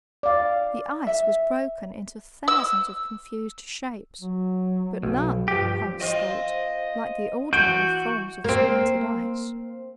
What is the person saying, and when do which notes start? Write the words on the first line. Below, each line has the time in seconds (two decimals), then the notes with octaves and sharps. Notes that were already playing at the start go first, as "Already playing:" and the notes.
The ice was broken into thousands of confused shapes, but none, Hans thought, like the ordinary forms of splintered ice.
0.23 D5 F5
1.07 E5
2.48 E6
4.21 F#3
5.03 B1 B2
5.48 G2 F3 G4
6.01 C4 F4 D#5
7.53 E3 F#4 G6 D7
8.44 A#3 C4